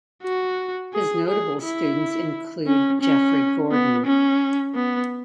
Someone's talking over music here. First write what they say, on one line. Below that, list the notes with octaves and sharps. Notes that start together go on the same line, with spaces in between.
His notable students include Geoffrey Gordon.
F#4
G#4
G#4
E4
C#4
C#4
B3
C#4
B3